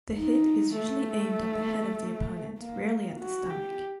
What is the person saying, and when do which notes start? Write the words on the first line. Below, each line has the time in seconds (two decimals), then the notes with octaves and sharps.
The hit is usually aimed at the head of the opponent, rarely at the stomach.
0.16 D#4
0.77 A3
2.59 A#3
3.20 F#4
3.50 G4